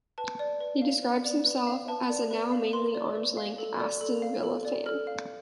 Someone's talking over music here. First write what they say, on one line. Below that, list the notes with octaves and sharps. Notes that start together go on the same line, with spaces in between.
He describes himself as a now mainly 'arms length' Aston Villa fan.
B4 A5
D5
B4
F5
B4
D5
B4
F5
B4 A5
D5
B4
F5
B4 C6
D5
B4
F5
A4
D5
A4
F5
A4
D5
A4 F6
F5